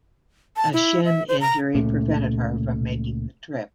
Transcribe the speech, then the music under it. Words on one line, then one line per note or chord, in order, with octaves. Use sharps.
A shin injury prevented her from making the trip.
A5
E4
E5
C5
A#5
C#2 A#2 A3 C#4